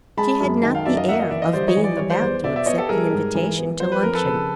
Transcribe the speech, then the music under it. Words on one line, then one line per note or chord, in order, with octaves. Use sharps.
She had not the air of being about to accept an invitation to luncheon.
G#3 A5 B5
F#2
D#3 G5 A5
F5 G5
F#2 D5 E5
D#5 F5
A#3 E5 F#5
D#5 F5
E3 D5 E5
D#5 F5
G3 C5 D5
C#5 D#5
E3
D5
G3 C#5
C5 D5
E2
B2 D5 E5
D5 E5
B3 C#5 D#5
G4 A4
G3 G#4 A#4
G#2
E3
B3
F3 C5
B4
F2 A#4
A4 B4
C#3